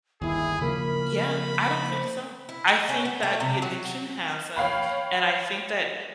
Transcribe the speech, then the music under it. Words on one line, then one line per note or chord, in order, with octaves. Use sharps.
Yeah, I don't think so. I think that the addiction has him. And I think that
G1 D#2 E4 G#4
C#3 F3 A#3 A#4 B5
C5
E4
C#4
B3
A3
C3
F#3
C#5 F5 G5 B5